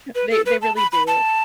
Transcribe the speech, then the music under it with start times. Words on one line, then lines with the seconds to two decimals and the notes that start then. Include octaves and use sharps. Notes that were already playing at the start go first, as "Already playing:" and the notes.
They they really do.
0.15 B4
0.31 A4
0.46 B4
0.62 A5
0.76 B5
0.92 B5
1.07 A5